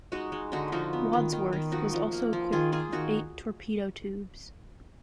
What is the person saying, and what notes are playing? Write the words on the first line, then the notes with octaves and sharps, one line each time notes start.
"Wadsworth" was also equipped with eight torpedo tubes.
G#3 D#4 F#4
G#3
D3 D#4 F#4
F3 D#4 F#4
B3
D#3
D#3
D#3
F3 D#4 F#4
F3
A#3
F3
D#3 F4 G#4
A#3 F4 G#4
D#3 D#4 F#4